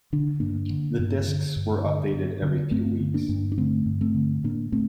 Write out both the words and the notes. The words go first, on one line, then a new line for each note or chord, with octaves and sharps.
The discs were updated every few weeks.
D3 D4
G2 A#3 D4
D3
G2
D3
G2
D3
G2
D3
G2 A3 C4
D3
A#3 D4
G2
D4
D3 A3 C4
G2
A3 C4
D3
A2 A#3 D4
A2 A3 C4